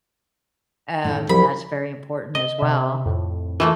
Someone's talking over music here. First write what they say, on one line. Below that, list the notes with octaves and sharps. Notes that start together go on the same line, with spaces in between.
Uh, that's very important as well.
A2 D#3 A3
C2 F3 F#3 B5
D#5
C3 E5
F2 A2
E3 A3 A#3 F4 A#4